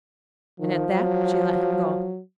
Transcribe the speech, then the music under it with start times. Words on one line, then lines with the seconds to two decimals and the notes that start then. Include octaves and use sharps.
And at that she let him go.
0.60 D#3 F3
0.92 F#3